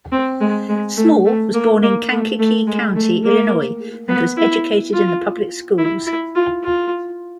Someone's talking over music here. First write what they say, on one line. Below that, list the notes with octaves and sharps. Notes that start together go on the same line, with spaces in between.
Small was born in Kankakee County, Illinois, and was educated in the public schools.
C4
G#3
G#3
A3
A3
A#3
A#3
A3
A3
G#3
A3
A#3
B3
E4
F4
E4
E4
F4
F4